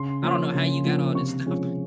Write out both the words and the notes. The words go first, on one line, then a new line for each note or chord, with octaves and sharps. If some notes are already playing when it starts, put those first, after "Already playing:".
I don't know how you got all this stuff
Already playing: C#3 C6
F3 A#3 C#4
C#3
F3 A#3 C#4
C3 C#6
F3 G#3 C#4